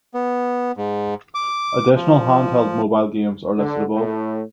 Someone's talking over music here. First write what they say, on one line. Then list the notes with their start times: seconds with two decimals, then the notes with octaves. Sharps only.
Additional handheld and mobile games are listed above.
0.14 B3
0.77 G#2
1.35 D6
1.95 F3
3.58 D3
3.95 A2